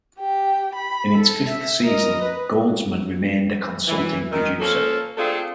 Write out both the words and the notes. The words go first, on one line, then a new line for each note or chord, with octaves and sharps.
In its fifth season, Goldsman remained a consulting producer.
G4 G5
B5
A4
E5
A#4 D#5
B4
E3
D#3
F3 A#3 C#4 A4
A3 C4 D4 F4 G#4 A4